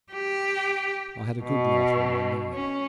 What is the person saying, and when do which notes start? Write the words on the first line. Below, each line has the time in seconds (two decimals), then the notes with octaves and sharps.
I had a good lot on my mind.
0.13 G4
1.43 B2
2.53 C#4